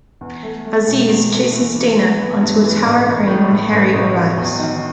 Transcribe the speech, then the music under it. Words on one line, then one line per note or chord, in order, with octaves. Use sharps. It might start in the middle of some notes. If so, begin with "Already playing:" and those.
Aziz chases Dana onto a tower crane when Harry arrives.
E2
A3
A3
E1
E2
A3
E3
E3
E3
B3
G2
E3
A1
A1
A2
A2
A1
A1
F#3
E2
D#3